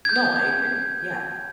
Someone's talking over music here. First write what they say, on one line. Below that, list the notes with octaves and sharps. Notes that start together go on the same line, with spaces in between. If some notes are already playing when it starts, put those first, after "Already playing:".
No, I agree, yeah.
G6 G#6